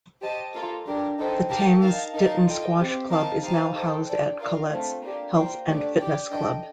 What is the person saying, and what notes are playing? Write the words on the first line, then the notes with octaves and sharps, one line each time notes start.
The Thames Ditton Squash Club is now housed at Colets' Health and Fitness Club.
G4 C5 D#5 A5
A#3 F4 A4
D4 G4 A#4
D#4 A4 C5 G5
G4 A#4 F5 A5
D#4 A#4 F5 A5
D#4 A#4 F5 A5
F4 A4 D#5 G5
C4 G4 C5
D#4 A#4 F5 A5
D#4 G4 C5 F5 A5
D#4 A4 C5 G5
D4 A4 D5 G5
D4 F4 A#4 D5 F5
A3 C4 F4 A4
A#3 D4 G4
A#3 F4 C5 G5
A3 D4 G4 D5
G4 D5 G5
D4 A4 D#5 G5